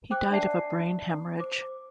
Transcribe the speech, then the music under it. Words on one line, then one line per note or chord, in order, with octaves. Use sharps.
He died of a brain hemorrhage.
C5 G5 D6 F#6
D4 D5 E5 A5 C7
C5 D6